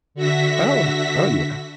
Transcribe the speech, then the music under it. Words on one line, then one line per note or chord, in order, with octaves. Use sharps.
Oh, oh, yeah.
D3 F#4 E5 A#6 B6